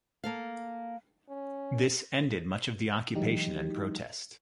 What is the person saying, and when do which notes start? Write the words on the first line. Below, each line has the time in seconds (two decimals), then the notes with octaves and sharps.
This ended much of the occupation and protest.
0.24 A#3 A4 F5
1.29 C#4
3.15 E3 F#3 G#3 D#4 G4